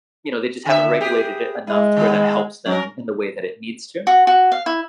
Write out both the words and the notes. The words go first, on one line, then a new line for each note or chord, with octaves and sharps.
you know, they just haven't regulated it enough to where that helps them in the way that it needs to.
D3 C5 E5
G4 G#4 B4
G#3 E4
D#3 B3
F#3 C#4 A#4
F#4
F#4
F5
E4